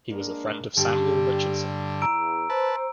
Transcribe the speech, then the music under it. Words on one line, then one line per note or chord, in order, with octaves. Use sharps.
He was a friend of Samuel Richardson.
G#3 A#3 D4
G2 D3 G4
E2 A#5 E6 D7
B4 C5 A5